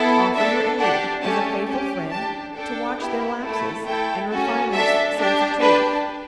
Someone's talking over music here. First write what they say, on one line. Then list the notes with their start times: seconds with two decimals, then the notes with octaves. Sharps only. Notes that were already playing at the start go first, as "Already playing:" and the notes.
Offer your aid, as a faithful friend, to watch their lapses, and refine their sense of truth.
Already playing: B3 E4 A4
0.35 D4 A4 E5
0.79 D4 G4 F#5
1.22 A3 C#4 G4 A5
1.67 C#4 G4
2.11 D4 G4 A5
2.54 D4 A4 G5
2.98 B3 E4 G4
3.42 A3 E4 A4
3.86 A3 E4 A4 G5
4.30 C#4 F#4 A4
4.73 D4 A4 E5
5.17 D4 G4
5.61 D4 G4 B4